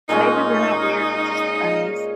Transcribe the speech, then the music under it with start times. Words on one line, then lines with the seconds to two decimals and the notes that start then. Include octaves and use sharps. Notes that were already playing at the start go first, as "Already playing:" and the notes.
Maybe we're not weird, we're just bunnies.
0.09 A#2 G#3 C#4 D#4